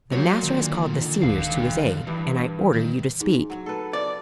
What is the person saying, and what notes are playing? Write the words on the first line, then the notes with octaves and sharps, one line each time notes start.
The master has called the seniors to his aid, and I order you to speak.
A#2 F#3 A#4 C#5
D3 D#3
D1 G#2 F5
G2 E3
D#3
G#2
F#3
A4 B4
D5